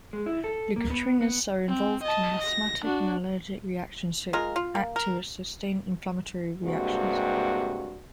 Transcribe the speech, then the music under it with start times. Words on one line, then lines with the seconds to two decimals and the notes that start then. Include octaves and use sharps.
Leukotrienes are involved in asthmatic and allergic reactions and act to sustain inflammatory reactions.
0.13 G#3
0.26 E4
0.44 A4
0.76 A#3
0.90 B3
1.21 B3
1.68 C4
2.03 D#5 A5
2.42 A#6
2.85 D4 F#4
4.33 G#3 F4 A#4
4.56 F4
4.75 A#3
4.96 A#4
6.64 G2 C3 G#3 A#3 F#4